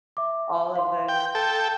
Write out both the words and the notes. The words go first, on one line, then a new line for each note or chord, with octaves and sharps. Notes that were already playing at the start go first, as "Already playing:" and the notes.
All of tho
E5 D6
F5 C6
G5
A4 G5